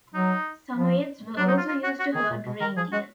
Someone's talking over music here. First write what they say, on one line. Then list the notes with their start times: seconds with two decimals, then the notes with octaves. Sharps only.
Samoyeds were also used to herd reindeer.
0.14 F#3 D#4
0.76 F3
1.37 F#3 D4
1.48 D#4
1.58 F4
1.68 F4
1.83 F#4
1.99 F#4
2.14 D#3 G#4
2.30 A#2
2.46 B2
2.60 D#3 A#4
2.77 F3 G#4
2.92 G#3 F#4